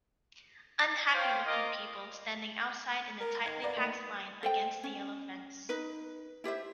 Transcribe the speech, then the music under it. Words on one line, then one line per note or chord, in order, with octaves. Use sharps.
Unhappylooking people standing outside in a tightlypacked line against a yellow fence.
C5 C#5 F5 G5
F4 A#4 D#5 F5 D6
A#4
D#3 G#6
B3 D5 F5 A#5
D#3 A3 A#3
A4 C5 G5
C#4
D#4 B4
E4 G4 C5 E5